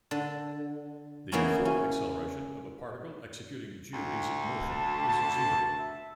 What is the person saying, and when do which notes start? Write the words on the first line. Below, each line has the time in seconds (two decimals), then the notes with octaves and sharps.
The four-acceleration of a particle executing geodesic motion is zero.
0.11 D3
1.32 C#3 E3 A#3 B3 C#4 A#5
1.65 C#4
3.93 D2
4.70 A5
5.08 A5
5.79 E5